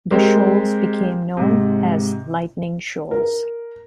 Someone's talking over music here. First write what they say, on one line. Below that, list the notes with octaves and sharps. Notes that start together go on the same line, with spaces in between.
The shoals became known as "Lightning Shoals".
G#3 C4 G4 A#4
G#2 C3
A#4